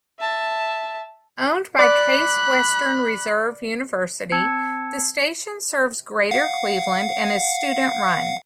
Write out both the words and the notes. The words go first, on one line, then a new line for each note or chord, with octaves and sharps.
Owned by Case Western Reserve University, the station serves Greater Cleveland and is student-run.
E5 A5
D5 B5 F#6
C4 A5 E6 G#6 C#7
F5 F#5